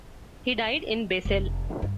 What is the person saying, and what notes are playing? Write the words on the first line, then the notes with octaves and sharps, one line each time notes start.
He died in Basel.
F1
G2